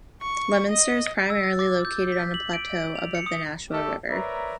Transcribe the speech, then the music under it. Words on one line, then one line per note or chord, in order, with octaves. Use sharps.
Leominster is primarily located on a plateau above the Nashua River.
C#6
D#5
E6
A6
D6
G6
B6
F#7
D7
F7
C#7
D#6
A3 G4 A4
A#4 B4 C#5 D5 E5 A#5